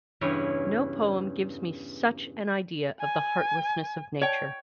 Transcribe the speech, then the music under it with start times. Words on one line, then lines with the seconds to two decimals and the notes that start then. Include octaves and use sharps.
No poem gives me such an idea of the heartlessness of Nature.
0.21 E2 G2 C#3 E4 C#5 G#5
3.01 G#5
4.21 C#5 G5